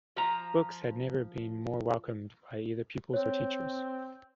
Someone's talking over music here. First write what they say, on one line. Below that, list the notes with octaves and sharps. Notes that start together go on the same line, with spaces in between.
Books had never been more welcomed by either pupils or teachers.
F3 A#5
C4 C#5